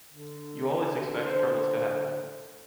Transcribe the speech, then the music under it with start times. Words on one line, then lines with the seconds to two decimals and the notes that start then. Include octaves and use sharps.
You always expect troubles to happen.
0.10 D3
1.27 C5